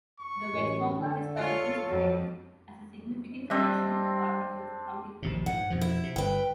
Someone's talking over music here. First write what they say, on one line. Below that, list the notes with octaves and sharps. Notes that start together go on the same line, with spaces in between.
The Westonka Historical Society has a significant collection of articles from the area.
C#6
A1 F#2 A2
D3 A4
F4 C#5
F2 F#3
G3 C4 D4 D#5 E5
A#1 D#2 C3
G#2 F#5
F2 B2 F3
E4
C3
G1 B4 G5